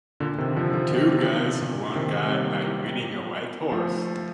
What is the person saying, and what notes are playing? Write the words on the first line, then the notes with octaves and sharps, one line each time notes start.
Two guys one guy i ridding a white horse.
A#2 D3
C3 D#3
D3 F3
D3 F3
C3 D#3
C3
C3
A#2 D3
C3 D#3
C4
G3 A#3
F3 A3